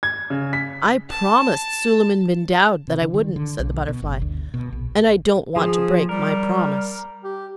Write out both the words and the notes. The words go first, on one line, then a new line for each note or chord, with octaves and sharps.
'I promised Suleiman-bin-Daoud that I wouldn't,' said the Butterfly, 'and I don't want to break my promise.'
G#6
C#3
B6
A5
C3
D3
D#3
D3
B1
B2
G1
D2
B2
A#1
F3 G#4
G3 A#4
G4